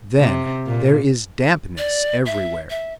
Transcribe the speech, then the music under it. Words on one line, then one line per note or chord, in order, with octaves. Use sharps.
Then there is dampness everywhere.
C3
A#2
D5
E5
E5